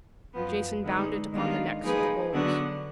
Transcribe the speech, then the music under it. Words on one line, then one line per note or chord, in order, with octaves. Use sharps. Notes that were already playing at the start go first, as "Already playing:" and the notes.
Jason bound it upon the necks of the bulls.
F#2 F3 B3
D3 G#3 B3 D#4
D#3 G#3 B3 D4 F4
F3 A#3 D#4 G#4 B4
D3 F#3 B3 D4 F#4